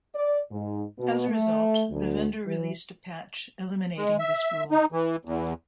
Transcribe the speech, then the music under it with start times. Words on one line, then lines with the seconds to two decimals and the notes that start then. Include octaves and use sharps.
As a result, the vendor released a patch eliminating this rule.
0.14 D5
0.51 G#2
0.98 B2
1.28 A3
1.91 D2
2.46 E3
3.98 G#3
4.19 E5
4.71 D#4
4.92 E3
5.25 E2